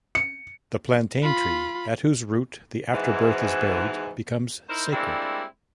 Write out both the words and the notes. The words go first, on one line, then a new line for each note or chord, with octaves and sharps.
The plantain tree at whose root the afterbirth is buried becomes sacred.
C#7
F4 B5
G#2 B2 E3
D#4 E4 A#4 C5
G3 G#3 A#3 C4 D4 E4